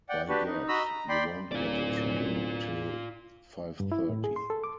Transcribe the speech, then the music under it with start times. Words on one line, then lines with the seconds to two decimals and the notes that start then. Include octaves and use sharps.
By gad, you won't get a train till five-thirty.
0.09 D5 F#5 G5
0.29 D4 F#4 G4 B4
0.46 D#4
0.68 F#4 D#5 A#5 B5 E6
0.84 A#5
1.09 D5 G5 B5 C6
1.52 D1 F4 D5
3.80 G2
3.92 E4
4.09 A2
4.24 G#4
4.36 C6
4.50 A4
4.64 D6